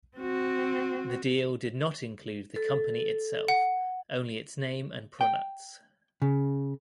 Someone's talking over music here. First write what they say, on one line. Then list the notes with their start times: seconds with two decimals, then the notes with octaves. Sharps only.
The deal did not include the company itself, only its name and products.
0.18 C4 F#4
2.56 A4
3.48 F#5
5.21 G5
6.22 C#3